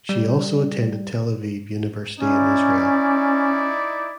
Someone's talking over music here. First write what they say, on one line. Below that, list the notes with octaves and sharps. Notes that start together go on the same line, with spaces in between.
She also attended Tel Aviv University in Israel.
G3
C#4 D#4 E4 D5